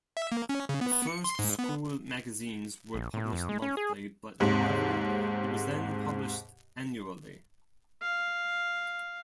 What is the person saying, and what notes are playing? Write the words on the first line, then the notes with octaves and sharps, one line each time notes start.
The first school magazines were published monthly but however, it was then published annually.
E5
A#3
C#4
C#3
B3
C#7
C6
G#2
B3
A#1
A2
F2
G#3
C#4
G#4
D#2 G#2 C3
F5